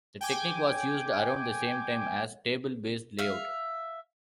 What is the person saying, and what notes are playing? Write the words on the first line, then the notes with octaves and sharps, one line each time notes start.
The technique was used around the same time as table-based layout.
G5 G#5 D6
E5 F5